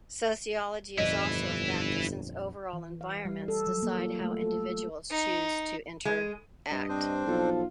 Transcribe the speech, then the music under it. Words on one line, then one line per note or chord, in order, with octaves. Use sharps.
Sociology is also a factor since overall environments decide how individuals choose to interact.
G1 F2 A#2 D4 E4 B4 D#5
E3
F5
G3
A4
F#3
A#3
F4
A3
A4
D#4
G#3
G2 D#5
C4 D4 C5
B1 F3 F4 A4